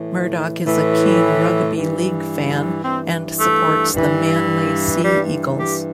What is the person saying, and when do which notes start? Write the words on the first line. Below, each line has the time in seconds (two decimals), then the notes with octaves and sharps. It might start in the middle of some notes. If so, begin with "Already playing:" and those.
Murdoch is a keen rugby league fan and supports the Manly Sea Eagles.
Already playing: A2 E3
0.64 A2 E3
1.74 G2 E3
2.83 G2 E3 C4
3.38 A3
3.93 G2 E3
5.02 G2 E3 G3
5.56 G4